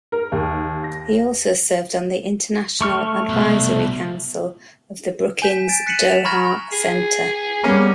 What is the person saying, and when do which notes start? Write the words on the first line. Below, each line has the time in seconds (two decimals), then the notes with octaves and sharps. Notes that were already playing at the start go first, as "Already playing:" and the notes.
He also served on the International Advisory Council of the Brookings Doha Center.
0.12 A#4
0.32 D#2
0.84 A#6
2.81 A3 C#6 F6
3.29 C2 B2
5.42 G#5 G6 B6 E7
5.69 A6 D7
5.86 F#6 B6 C#7 D#7 E7 F#7
6.08 E7 F7
6.25 A#5 B5 C#6 F6 G#6 A#6
6.72 G#4
7.64 G3 A#3 B3 C#4